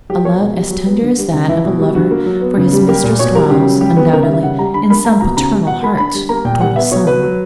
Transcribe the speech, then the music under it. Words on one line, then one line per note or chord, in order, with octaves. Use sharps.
A love as tender as that of a lover for his mistress dwells, undoubtedly, in some paternal hearts toward a son.
F#3 G4
A#3 C#5
B2
G3
F#3
B3
D3
G3
C#3
E3 E4
B2
G3
D3 F#4
A#3
F#3
B3
C#3
G3
A#3 G4
A#2
B2 C#5
G3 A#4
C#3 G4
F#3
G3 G4
B3
C#3 A#4
E5
G3
E5
C#3 F#5
G3 A#5
D3 B5
A#3 B5
A#3 A#5
B2 A#5
C#3 A#5
G3
B2 F#5
A#3 B5
D3 B5
G3
A#3 A#5
A#2 G5
G3 F#5
B3 E5
B2 C#5
F#3 B4
F#3